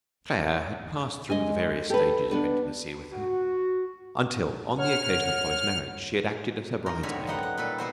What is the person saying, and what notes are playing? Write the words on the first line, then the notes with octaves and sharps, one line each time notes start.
Claire had passed through the various stages of intimacy with her, until on the occasion of Polly's marriage she had acted as her bridesmaid.
G#3 D#5 G#5
G4 A4 B4
B3 D4 B4
F#4
C#5 F#5 F6
D#4 A#4
G#2 D3 G4 C#5 G#5 B5
F#2 A#3 B3 D#4 G4 F#5
F#5
A#2 G3 A4 B4
C3 B3 F#4 C5